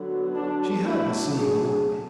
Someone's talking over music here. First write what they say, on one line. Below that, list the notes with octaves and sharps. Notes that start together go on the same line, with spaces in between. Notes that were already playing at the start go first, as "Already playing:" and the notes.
She had the seeing eye.
Already playing: D3 F#3 B3
D4
F#3 A3 D4 E4
G#4